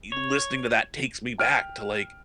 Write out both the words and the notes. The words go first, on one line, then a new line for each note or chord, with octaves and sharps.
y listening to that takes me back to, like,
C#5
G5 F6 D7